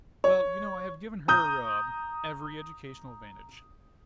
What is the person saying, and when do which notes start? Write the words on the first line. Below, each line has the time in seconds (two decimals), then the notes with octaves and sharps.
Well, you know I have given her--ah--every educational advantage.
0.24 C#5
1.28 A#5 D#6 G6